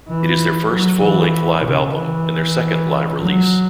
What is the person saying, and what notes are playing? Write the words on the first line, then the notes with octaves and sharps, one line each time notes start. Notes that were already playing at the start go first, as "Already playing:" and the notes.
It is their first full-length live album, and their second live release.
E3
F#3
E3
C#3
E3
F#3